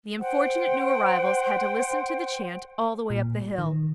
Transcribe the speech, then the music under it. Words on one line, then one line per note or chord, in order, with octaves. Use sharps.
The unfortunate new arrivals had to listen to the chant all the way up the hill.
C5 F#5 G5
A#2
D#3